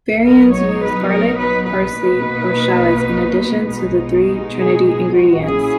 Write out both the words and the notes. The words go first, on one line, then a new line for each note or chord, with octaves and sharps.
Variants use garlic, parsley, or shallots in addition to the three trinity ingredients.
F#3 B3 D#4 A#4
C#5
B4
A#4
B4
B4
B2 A#3 D#4
B2 G#3 D#4
G#4
G#4
F#4
A#2 F#3 C#4 E4 G#4